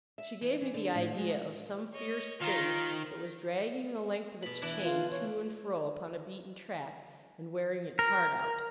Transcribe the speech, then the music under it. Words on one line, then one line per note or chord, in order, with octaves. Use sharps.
She gave me the idea of some fierce thing, that was dragging the length of its chain to and fro upon a beaten track, and wearing its heart out.
E5
E3
E3
D3
A2
G#3
C#5 D#5
D#3 F4 A#4 C5
B2 B5
E3 D4 E4
F4
C#5
A#4